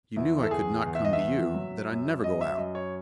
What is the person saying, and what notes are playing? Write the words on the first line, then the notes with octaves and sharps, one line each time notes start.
You knew I could not come to you--that I never go out.
E2 E4
A4
E2 G#4
E2
E5
D#5
E5
E2
F#3
F#2
F#2 D#5
E5
F#2 D#5
C#5